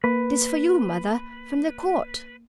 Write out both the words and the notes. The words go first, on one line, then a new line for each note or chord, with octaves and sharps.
"It is for you, mother--from the Court."
A#3 B4